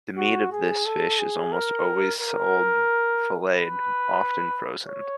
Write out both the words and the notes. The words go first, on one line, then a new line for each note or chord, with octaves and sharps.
The meat of this fish is almost always sold filleted, often frozen.
F#4
G#4
A4
G#4
A#4
A#4
B4
C#5